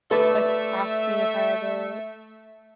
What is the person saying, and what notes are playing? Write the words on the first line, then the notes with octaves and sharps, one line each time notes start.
like, asked me if I ever
A3 A4 B4 D5 E5